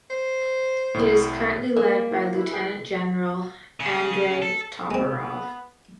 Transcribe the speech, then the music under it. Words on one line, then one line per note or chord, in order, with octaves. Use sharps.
It is currently led by Lieutenant General Andrey Toporov.
C5
C2 A2
A#3
E4
E4 B4 E5
G#4 B4 G5
C#3
A4
G#3 B3 C4